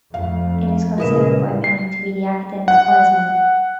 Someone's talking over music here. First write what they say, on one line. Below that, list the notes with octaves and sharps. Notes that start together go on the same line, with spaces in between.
It is considered by many to be the Academic Heisman.
F2 A3 F5
A#2 C#3 E4 A#4 B4 D#5 D#6 E7
C7
F#5